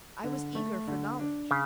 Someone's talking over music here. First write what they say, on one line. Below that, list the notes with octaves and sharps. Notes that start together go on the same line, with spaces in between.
I was eager for knowledge.
D3
A3
D3
D4
C#3